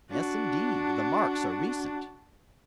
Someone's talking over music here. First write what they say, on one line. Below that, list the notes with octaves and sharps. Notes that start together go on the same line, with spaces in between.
"Yes, indeed, the marks are recent."
D4 F#4